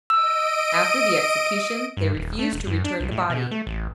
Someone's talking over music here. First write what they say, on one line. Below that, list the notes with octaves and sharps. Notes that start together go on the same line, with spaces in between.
After the execution they refused to return the body.
D#5 E6 D7 D#7
G2
D#1
A3
E1
F#2
D4
C2
A2
B2
A3
A1